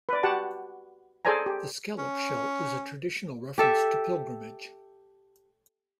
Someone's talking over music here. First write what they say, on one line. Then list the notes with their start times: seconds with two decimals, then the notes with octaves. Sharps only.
The scallop shell is a traditional reference to pilgrimage.
0.09 B4 D5
0.23 F#4 G4 F#5 A5
1.25 G#4 A4 C5 D5 G#5 A#5
1.46 G4
1.98 C#4
3.58 G4 A4 E5